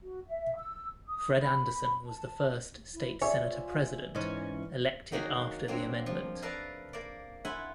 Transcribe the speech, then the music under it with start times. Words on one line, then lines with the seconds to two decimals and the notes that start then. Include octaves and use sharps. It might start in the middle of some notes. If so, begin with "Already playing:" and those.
Fred Anderson was the first state senate president elected after the amendment.
0.01 F#4
0.28 E5
0.57 E6
1.06 D#6
1.41 B5
2.06 A5
2.94 E4
3.22 F4 C#5 D5 E5 G#5
4.15 G#2 E3 C#4
5.12 D#3 F#3 A#3 D#4 F#4 G#4
5.68 F#3 A#3 C4 D4
6.06 F3
6.42 A#4 B4 D5 E5 F5 A5
6.93 A#3 D5
7.45 E4 F4 E5 F#5 G#5 B5